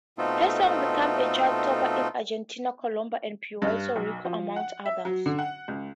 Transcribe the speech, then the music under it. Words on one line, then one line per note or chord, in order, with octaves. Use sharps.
Her song became a chart-topper in Argentina, Colombia, and Puerto Rico, among others.
B2 A3 C4 D#4 F4 A4
G2
B1
F3
F#5
E5
F#3
D3
F#5
C#2